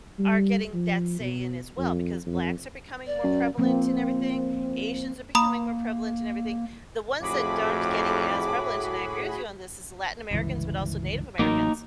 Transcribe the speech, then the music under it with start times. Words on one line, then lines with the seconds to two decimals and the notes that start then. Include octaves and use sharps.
are getting that say in as well because blacks are becoming more prevalent in everything. Asians are becoming more prevalent in everything. The ones that aren't getting as prevalent, and I agree with you on this, is Latin Americans, but also Native Americans.
0.19 G3
0.74 F3
1.20 B2
1.78 F2
2.26 F2
3.07 D5
3.24 F#2
3.58 F3 A#3 C4
5.35 A#3 A#5 B5 D#6
7.22 F2 A2 F#4 G#4 B5 D6
10.31 G1 C#2 E3
11.39 A1 F#3 A#3 D#4 A#4